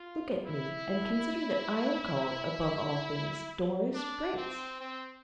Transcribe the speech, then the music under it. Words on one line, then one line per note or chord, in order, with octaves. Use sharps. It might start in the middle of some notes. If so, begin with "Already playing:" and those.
Look at me, and consider that I am called, above all things, Doris Brace!
Already playing: F4
E4
D4
C4
C4